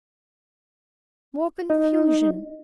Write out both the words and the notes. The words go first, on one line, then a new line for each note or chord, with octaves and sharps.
More confusion.
D#4